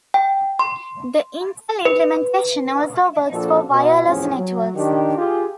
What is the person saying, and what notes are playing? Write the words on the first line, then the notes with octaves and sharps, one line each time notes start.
The Intel implementation also works for wireless networks.
G5
C6
B4
A#2 F3 D4 F#4 A4
B2
E2 A2 C3 F3 C4 C#4
F#3
D#3 D4 G4
F4 G4 G#4